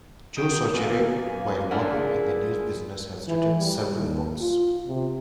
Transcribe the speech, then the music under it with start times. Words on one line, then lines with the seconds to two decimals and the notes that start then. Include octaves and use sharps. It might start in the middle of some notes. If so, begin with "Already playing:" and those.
Joe Soucheray, while working in the news business, has written several books.
0.37 D#4 F#4 G5
0.74 B2 E3 F3 A#3 B3 F#4 G#5
1.25 F#2
1.71 F3 D4 E4 A#4 F#5
1.94 G#4
3.28 E3
3.58 G3
3.95 D#2
4.39 F4
4.86 C3